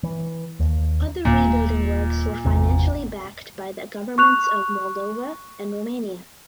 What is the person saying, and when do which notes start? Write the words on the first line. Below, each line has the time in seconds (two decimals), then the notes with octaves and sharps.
Other rebuilding works were financially backed by the Governments of Moldova and Romania.
0.03 E3
0.60 D#2
1.25 D#1 A#2
2.45 G#1 E2 C3
4.18 C#6 F#6 F7